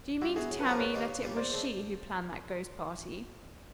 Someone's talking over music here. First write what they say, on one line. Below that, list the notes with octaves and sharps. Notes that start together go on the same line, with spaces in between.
"Do you mean to tell me that it was she who planned that ghost party?"
G3 E4 F#4
B3 E4 F#4 G#4
C#3
A4 B4
F#3 A#3 C#4 F#4 A#4 C5
G#2 B4 C#5
D#3 G3 A#3 D#4
A#2
G3 A#3 C#4 F4
E2 C5 D5
C#3 E3 A3 C4